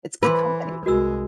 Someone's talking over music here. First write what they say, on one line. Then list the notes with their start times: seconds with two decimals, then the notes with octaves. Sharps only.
it's good company.
0.23 E3 B4 C6 D6 E6
0.86 C2 G#3 F#4 A#4 E6